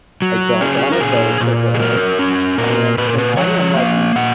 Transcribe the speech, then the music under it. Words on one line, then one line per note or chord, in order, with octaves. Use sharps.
I don't wanna go to this." I am and I am, like, m
F#3
C#4 G#4
A#4
A#2 G#4
A#2
G#4
F#3 A#4
C#4
A#2 A#4
A#2 B4
A#4
B4
F3 C#5
A#3 F5
A#2 F#5